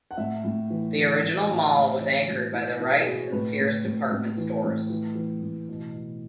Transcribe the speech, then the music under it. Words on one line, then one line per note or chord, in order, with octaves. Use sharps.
The original mall was anchored by the Rike's and Sears department stores.
F#5
A2 E5
A2
E3
E3
A2
A2
E5
A2 D#5
E3 C#5
A2 F#4
B2 E4
B2 E4
G#4
B2 F#4
A2 B4
A2
A2
A2
E3
A2
E3
E3
A2
B2
B2